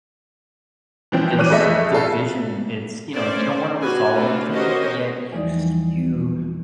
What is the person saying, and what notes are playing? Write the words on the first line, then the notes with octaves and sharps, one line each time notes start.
this division, it's you know, if you don't wanna resolve anything, yet you spew
E3 F3 C4
E3 C#5 D6 F#6 D#7
F2 A3 G#4 A4 D#5 E5
F4 G#4 A4 F5
A3 C#4 C5 D5
F#4 G4 B4 G#5
A3 C4 D4 F4 F#4 B4
C#4 F#4 G4 A#4 C5 D#5
E2 E3 F3 G3 D#4 D5